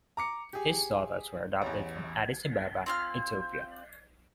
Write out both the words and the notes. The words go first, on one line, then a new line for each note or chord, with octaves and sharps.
His daughters were adopted from Addis Ababa, Ethiopia.
A#5 D6 C#7
G4 G#4
A1 E2
C4 F4 F6